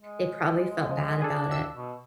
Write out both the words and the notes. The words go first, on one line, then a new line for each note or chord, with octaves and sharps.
they probably felt bad about it.
G#3
C#3 F3
D4 G#4 A4
E6
B2